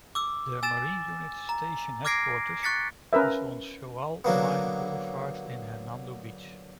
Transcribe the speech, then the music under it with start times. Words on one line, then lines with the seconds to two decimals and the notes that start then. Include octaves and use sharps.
Their Marine Unit Station headquarters is on Shoal Line Boulevard in Hernando Beach.
0.15 D6 E6
0.63 G#5 E6 A6 E7
1.49 A#5
2.05 D6 F6 G#6 A#6 C7 D7
2.63 C#6 F#6 A6 B6 C#7
3.13 C#4 A#4 B4 E5
4.24 D3 F#3 A#3 B3